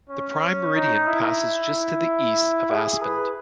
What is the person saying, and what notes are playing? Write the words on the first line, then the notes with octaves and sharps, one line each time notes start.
The Prime Meridian passes just to the east of Aspenden.
C#4
D#4
E4
G#4
B4